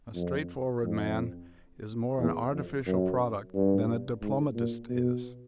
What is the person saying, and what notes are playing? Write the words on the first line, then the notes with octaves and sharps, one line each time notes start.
A straightforward man is more an artificial product than a diplomatist is.
F2
F2
E2
F2
F#2
G2
G#2
A#2
B2